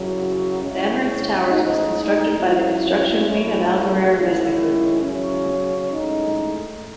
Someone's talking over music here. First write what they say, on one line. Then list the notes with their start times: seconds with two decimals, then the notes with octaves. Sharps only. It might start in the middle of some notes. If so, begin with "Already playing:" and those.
The Emirates Towers was constructed by the construction wing of Al Ghurair Investment group.
Already playing: F#2 C#3 F#3 C#4 E4
0.60 C#3 G#3 C#4 E4
1.49 A2 G#3 D#4
2.37 G#2 F#3 C#4 E4
3.26 G#2 F#3 A3 C#4 E4
4.15 D#3 G#3 C#4 E4
5.03 C#3 F#3 C#4
5.92 A2 G#3 D#4